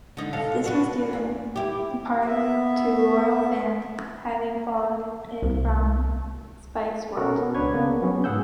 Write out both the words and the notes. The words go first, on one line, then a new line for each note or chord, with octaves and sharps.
This was due in part to loyal fans having followed it from Spike's World.
D3 D#4
C3 A4 F5
D4 F#4 B4
E2
E4 G4
B3 E5
C2
B2 C#4 F#4 A4 A#4
B3
C#2 D4 B4 C#5 G#6
C#3 A#3 B3
F#3 B3 C#4
G#2 G#4 F#5 E6 G6